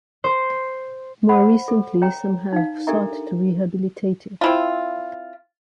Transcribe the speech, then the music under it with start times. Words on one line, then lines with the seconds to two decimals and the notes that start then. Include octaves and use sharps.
More recently some have sought to rehabilitate it.
0.24 C5
1.29 C5 F#5 B5
1.68 A4
2.02 C#5 G5 A#5
2.53 D#4 F5
2.87 D4 G4 A4 A#4 E5 A#5
4.41 C4 E4 F4